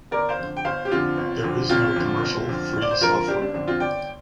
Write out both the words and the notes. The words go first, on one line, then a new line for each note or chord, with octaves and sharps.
There is no commercial free software.
G1 A#4 D5
C5 F5
F2 D3
G5
G1 C5 F5
G4
F2 D3 C4 F4
G1
F2 D3
G1 C4 F4
F2 D3
G1
F2 D3
G1
D5
C5
F2 D3 F4 A#4
G1 D4 G4
D4
F2 D3 D4
C4 F4
G1 D5 G5